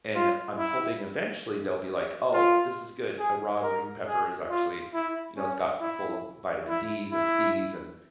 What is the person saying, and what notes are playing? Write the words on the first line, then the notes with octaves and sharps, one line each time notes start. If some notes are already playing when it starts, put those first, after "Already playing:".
and I'm hoping eventually they'll be, like, "Oh, this is good." A raw green pepper is actually, you know, it's got full of vitamin D's and C's and,
F4
E4
F4
G#4
A#4
G#4
F4
E4
C#4
E4
E4
E4